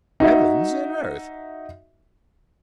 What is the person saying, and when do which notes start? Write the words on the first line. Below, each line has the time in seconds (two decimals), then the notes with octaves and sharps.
Heavens and earth!
0.20 D#4 F#4 E5